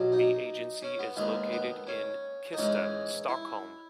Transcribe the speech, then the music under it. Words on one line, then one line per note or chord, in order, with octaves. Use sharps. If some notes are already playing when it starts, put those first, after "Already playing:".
The agency is located in Kista, Stockholm.
Already playing: B1 B2 F#3
D#4
C#4
B3
D#2 D#3 G#3 B3
B3
C#4
D#4
G#2 E3 G#3 C#4
E4